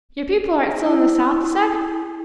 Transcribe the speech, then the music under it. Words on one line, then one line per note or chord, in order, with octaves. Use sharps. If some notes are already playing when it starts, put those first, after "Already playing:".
"Your people aren't still in the South, you said?"
E4